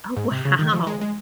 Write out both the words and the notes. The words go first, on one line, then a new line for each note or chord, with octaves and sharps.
Oh, wow.
G#2
C3
C#3
D#3
F3
G#3
G#3